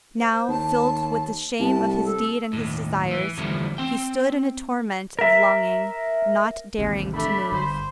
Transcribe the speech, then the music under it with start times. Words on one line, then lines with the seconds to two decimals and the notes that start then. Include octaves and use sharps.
Now, filled with the shame of his deed and his desires, he stood in a torment of longing, not daring to move.
0.18 C5
0.48 D#2 A5
1.60 C2 A5
2.03 A4
2.53 D#2 A2
3.11 E3
3.38 E2 D3 E3 F3 G3 A3
3.78 C4 G5
5.19 A#4 E5
6.79 A1 D#2 C3
7.14 A3 D4 B5
7.52 G1 C5